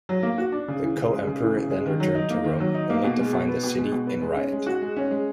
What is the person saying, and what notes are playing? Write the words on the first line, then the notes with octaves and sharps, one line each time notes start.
The co-emperor then returned to Rome, only to find the city in riot.
F#3
A#3
F#4
D4
C#3
E3
C#3
G#3
C#3
E3
C#3
G#3
D#3
F#3
D#4
A#3
D#3
F#3
D#4
A#3
B2
G#3
B2
B3
B2
G#3
B2
B3
G#3
C#4
G#3
F#4
G#3
C#4
G#3